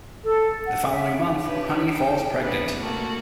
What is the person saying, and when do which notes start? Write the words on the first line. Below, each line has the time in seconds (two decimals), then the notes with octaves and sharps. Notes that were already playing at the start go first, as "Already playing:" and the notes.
The following month, Honey falls pregnant.
0.23 A4
0.66 F#5
0.90 E5
1.45 D4 G4 B4 C#5
1.95 G5
2.40 E2 C3 B3 D4 B4
2.78 A3 A#3 F#4 A4